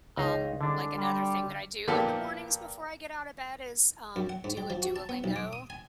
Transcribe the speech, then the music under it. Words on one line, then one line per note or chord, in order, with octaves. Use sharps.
um, like, another thing that I do in the mornings before I get out of bed is, um, do a Duolingo?
C#2 D#4 F5
C2 D3 G#3 D4
G3
A#2 F3 A#3 B3 G4 A4
F#2
F#5
G#2
G3
F3
F#4
A5
B3
B1
D6
D#6
G#5